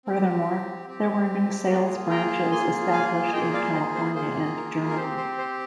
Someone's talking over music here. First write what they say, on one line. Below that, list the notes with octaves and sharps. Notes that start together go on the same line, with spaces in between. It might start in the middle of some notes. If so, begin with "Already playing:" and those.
Furthermore, there were new sales branches established in California and Germany.
C4 G4
C4 G4
A#3 F4 G#4 A#4 D5
G5 A#5
A#3 F4 G#4 G#5 C6
F5 G#5
G#5
A#3 F4 G#4 D#5 G5
D5 F5
C5 D#5
C5
A#3 F4 G#4 C5
A#4
A#4
C4 G4 C5
C5
C5